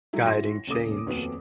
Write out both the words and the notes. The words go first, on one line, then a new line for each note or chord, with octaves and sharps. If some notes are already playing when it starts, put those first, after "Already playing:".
guiding change,
F#3 G#3 E4
A1 E4 F#4 C6 A#6
D#1 A#2 C#3 A4 D6 D#6
D#1 F2 A#2 B3 F#4